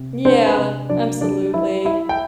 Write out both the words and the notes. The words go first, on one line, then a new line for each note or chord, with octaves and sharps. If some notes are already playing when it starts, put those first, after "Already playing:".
Yeah, absolutely.
Already playing: C3
C4 D4 C5
B4
C3
F#3 D4 D5
F#3 D4 D5
F#3 E4 E5
E4 E5
G5